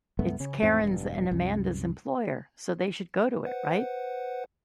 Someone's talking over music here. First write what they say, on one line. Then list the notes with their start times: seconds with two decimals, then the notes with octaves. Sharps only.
It's Karen's and Amanda's employer, so they should go to it, right?
0.19 C#2 G2 A3 B3
0.40 C#3 C#4
0.62 E2 G#2 C4
0.81 E1 G2
1.31 C2 F#2
3.45 B4 C5 F#5